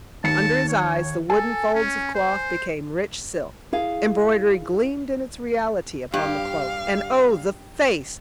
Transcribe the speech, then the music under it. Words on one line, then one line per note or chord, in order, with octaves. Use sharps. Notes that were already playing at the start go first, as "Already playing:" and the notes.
Under his eyes the wooden folds of cloth became rich silk, embroidery gleamed in its reality upon the coat, and oh! the face!
D#2 A5 C#7
C#5
A4 G#5
C#4
C5
E4 G#4 F5
G2 G4 F5